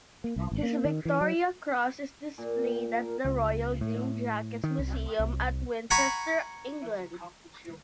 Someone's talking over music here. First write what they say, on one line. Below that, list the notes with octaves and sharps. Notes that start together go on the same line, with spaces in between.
His Victoria Cross is displayed at the Royal Green Jackets Museum at Winchester, England.
A#3
C2
G#1
A#3
D#3
E3
F#3
A#2
A#4
C#2
A2
D#3
C2
C2
F#5 G#5 A#5 B5 C#6